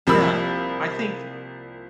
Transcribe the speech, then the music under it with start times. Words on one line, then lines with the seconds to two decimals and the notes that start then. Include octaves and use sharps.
Yeah. I think
0.07 C2 F3 A#3 B5 E6